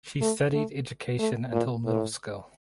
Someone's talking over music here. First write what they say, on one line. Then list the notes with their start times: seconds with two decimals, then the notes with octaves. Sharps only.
She studied education until middle school.
0.21 A3
0.54 A3
1.19 A3
1.52 A#2
1.84 A2